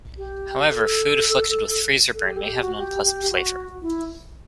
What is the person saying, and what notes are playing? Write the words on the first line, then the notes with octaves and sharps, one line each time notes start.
However, food afflicted with freezer burn may have an unpleasant flavour.
G4
A4
A4
G4
A4
G4
F#4
G4
G4
F#4
E4